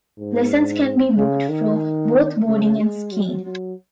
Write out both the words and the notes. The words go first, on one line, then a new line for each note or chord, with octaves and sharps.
Lessons can be booked for both boarding and skiing.
G#2
C#3
D#3
C#3
G#3
F#3
F#3